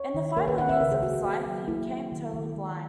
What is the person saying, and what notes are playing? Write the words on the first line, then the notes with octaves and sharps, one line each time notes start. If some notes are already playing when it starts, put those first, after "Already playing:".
In the final years of his life, he became totally blind.
Already playing: C#5
D#3
A#3 A#4
B4
D#3 F#5
E5
C#3 A#4
G#4
C#3 F#4
G#4
A#3 F#4
F#3
A#3 E4
A#3
D#3
D#3
G#3